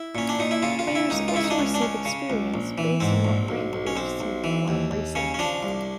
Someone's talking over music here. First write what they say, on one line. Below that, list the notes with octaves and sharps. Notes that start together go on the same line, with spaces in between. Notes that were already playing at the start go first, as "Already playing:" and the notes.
Players also receive experience based on what rank they receive while racing.
Already playing: E4
A#2 C#4
D4
A#2 D#4
E4
C#3 F4
F4
C#3
E4
C#2 D#4
F4
C#3 E4
D#4
D4
C#2 C#4
D4
C#2 C#4
C#3
C#2
A#1
E3
G#2 C4
A#1
B1
B1
C#4
B1 C4
B1
E3
D#2
D#2
C#3 C#4
C#4
F3 D4
C2